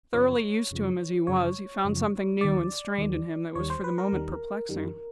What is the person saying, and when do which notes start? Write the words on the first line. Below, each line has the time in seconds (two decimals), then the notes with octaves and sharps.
Thoroughly used to him as he was, he found something new and strained in him that was for the moment perplexing.
0.13 F#2 C#3 F3 C#5
0.71 F#2 C#3 F3
1.27 F#2 C#3 F3 C#5
1.85 F#2 C#3 F3
2.41 D#2 D#3 G3 D5
2.98 D#2 D#3 G3
3.55 D#2 D#3 G3 C#5
3.70 C5
3.84 B4
3.98 A#4
4.13 D#2 D#3 G3
4.69 F#2 D#3 G3